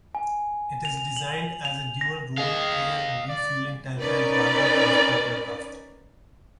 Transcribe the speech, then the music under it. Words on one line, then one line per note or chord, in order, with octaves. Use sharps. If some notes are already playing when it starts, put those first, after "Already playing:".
It is designed as a dual-role air refueling tanker and cargo transport aircraft.
G#5
F7
F7
F#7
F7
A#6
G#4 D#5 F5
D5
C#4 D#4 A#4 B4 D5